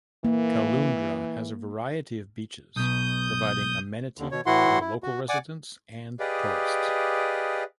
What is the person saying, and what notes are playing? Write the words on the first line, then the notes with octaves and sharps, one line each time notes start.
Caloundra has a variety of beaches, providing amenity to the local residents and tourists.
E3 A#3
B1 B2 D#6 G6
D#2 D3
B2 C#5
A2 E3 E4 F#4 F#5 C6
E4
F#4
D5 F#5 G#5 D6
G4 G#4 B4 D5 D#5 F5